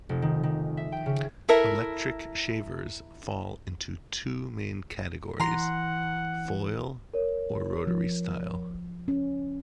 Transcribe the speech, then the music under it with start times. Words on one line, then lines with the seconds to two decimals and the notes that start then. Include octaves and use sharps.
Electric shavers fall into two main categories: foil or rotary-style.
0.09 F1
0.22 D#3
0.43 D#3
0.77 E5
0.92 G5
1.06 C#3
1.49 E4 A4 A#4 E5
5.40 E3 F#5 A#5 C6
7.14 A#4 C#5
7.87 F3
9.08 C#4